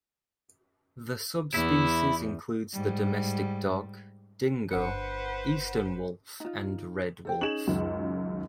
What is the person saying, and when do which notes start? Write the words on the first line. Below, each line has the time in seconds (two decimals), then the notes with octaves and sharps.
The subspecies includes the domestic dog, dingo, eastern wolf and red wolf.
1.54 E2 E4
2.73 G#2 G3
4.71 G1 B4 C5 F#5 C#7
6.40 D#4 F4
7.25 A4 C5 G5
7.41 C#4 D#4 G#4 E7 F#7
7.67 C#2 F#2 D#3